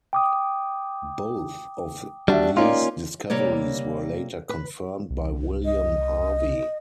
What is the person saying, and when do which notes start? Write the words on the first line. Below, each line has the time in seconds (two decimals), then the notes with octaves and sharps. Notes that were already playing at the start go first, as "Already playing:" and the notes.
Both of these discoveries were later confirmed by William Harvey.
0.13 G5 D6 D#6
2.28 G3 D4 F#4 E5
2.57 A#3 C#4 D#4 F4 D5
3.30 C3 G3 A#3 C#5 D5
4.49 B4
5.10 C2
5.65 D#5